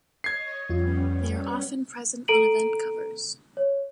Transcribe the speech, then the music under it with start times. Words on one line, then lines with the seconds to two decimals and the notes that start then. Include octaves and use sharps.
They are often present on event covers.
0.24 C#5 D#5 G#6 C7
0.70 F2 G3 B3 C#4 F4
2.28 A4 A#5 D7 D#7 F#7
3.57 C#5